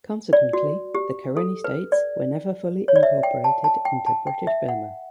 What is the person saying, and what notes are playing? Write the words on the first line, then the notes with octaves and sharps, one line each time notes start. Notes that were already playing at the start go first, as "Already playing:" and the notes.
Consequently, the Karenni States were never fully incorporated into British Burma.
D5
F#4
G4
A4
B4
D5
C#5
D5
E5
G5
A5
A5
G5
A5
G5
E5
F#5